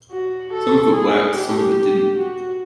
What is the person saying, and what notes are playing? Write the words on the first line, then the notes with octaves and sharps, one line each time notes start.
Some of it worked and some of it didn't.
F#4
A4
G#4
G4
F#4